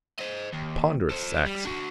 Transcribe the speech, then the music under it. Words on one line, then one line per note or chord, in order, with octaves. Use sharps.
A ponderous Saxon.
C5 D#5
D#2
A4 C5
G3
D4 F#4